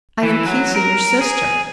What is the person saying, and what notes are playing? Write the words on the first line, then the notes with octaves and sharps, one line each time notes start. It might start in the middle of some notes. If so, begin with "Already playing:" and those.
I am Kisa, your sister!'
E3
F#3
A#4
G#4